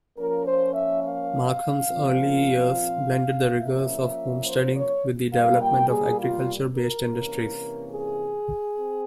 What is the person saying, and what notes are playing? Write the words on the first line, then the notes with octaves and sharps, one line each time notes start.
Markham's early years blended the rigours of homesteading with the development of agriculture-based industries.
F3 A#3 C#4 A#4
C5
E5
F5
A#2 F3 C4
F3 A#3 C#4 E5
C5
C#5
A#2 G3 A#3 F5
G5
G#4
F4
A#4
C3 E3 A#3 C#4
G#4
C4